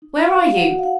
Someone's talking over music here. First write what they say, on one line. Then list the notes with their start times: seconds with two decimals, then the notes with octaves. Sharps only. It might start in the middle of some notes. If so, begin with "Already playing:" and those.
"Where are you?"
0.02 D#4
0.29 F#4 F5
0.56 F#4 F#5
0.78 F5
0.83 D#4 F#5